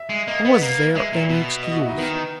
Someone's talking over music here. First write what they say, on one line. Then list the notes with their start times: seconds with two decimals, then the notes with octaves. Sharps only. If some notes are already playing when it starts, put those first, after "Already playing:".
Was there any excuse?
Already playing: E5
0.10 G#3
0.28 A#3 D#5
0.45 B3 B4
0.62 A#3
0.95 G#3 E5
1.13 A#2
1.29 B2
1.63 D#5
1.72 F#4
1.81 E4
1.89 D#4
1.98 D#3 B3